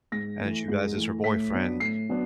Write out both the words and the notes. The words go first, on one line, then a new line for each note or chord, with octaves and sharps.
and she realizes her boyfriend
G#2 A#6
E3 A3
G#2
E3 A3
A2 B6
F#3 B3 D4
A2 C7
F#3 B3 D4